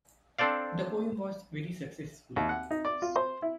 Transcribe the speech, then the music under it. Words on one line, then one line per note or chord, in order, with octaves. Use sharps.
The poem was very successful.
C4 D4 A4 C5 D5 F5
D#2
F#5
D#4
D5
F4
C5
E4